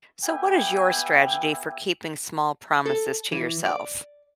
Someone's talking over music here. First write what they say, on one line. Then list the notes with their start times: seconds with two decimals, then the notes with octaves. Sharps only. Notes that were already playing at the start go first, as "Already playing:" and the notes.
So what is your strategy for keeping small promises to yourself?
0.24 B3 G4 E5 G5 G#5
2.86 A4
3.32 E3
3.66 D5